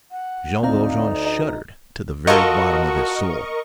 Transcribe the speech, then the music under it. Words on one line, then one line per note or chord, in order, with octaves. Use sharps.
Jean Valjean shuddered to the very bottom of his soul.
F#5
D2 C4 D#4 D5 F5 A#5
D#5 A#5
F4 F#4 A4 A#4 D#5 C#6